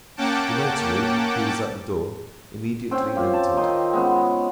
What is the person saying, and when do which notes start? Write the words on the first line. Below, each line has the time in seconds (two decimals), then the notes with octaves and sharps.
The notary, who was at the door, immediately entered.
0.17 A#3 C#4 F#5 G5 A5 D6
2.91 C4 C#4 G5
3.17 F4 G4
3.34 A5
3.57 D#3 C4 D#5
3.93 G#3 B3 C#4